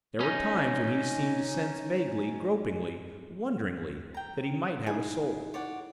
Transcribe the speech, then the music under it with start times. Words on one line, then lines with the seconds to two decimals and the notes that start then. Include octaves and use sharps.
There were times when he seemed to sense vaguely, gropingly, wonderingly, that he might have a soul.
0.20 C#4 D#4
4.14 G5 A#5
4.87 D#4 E4 G#4
5.54 C#5 D5 F#5